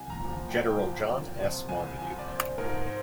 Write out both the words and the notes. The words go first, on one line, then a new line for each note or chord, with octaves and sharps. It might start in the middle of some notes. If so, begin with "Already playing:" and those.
General John S. Marmaduke.
Already playing: C2 G#5
A#5
A#2 F3
C2 G5
A#2 F3
C2
C3 F3
C2 G#5
C3 F3 G#5
D5
A#1 C5
G#2 F3 A#4
C5